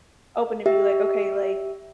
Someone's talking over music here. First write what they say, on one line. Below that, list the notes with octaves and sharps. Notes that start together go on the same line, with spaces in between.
open to be like, "Okay, like,
G4 E5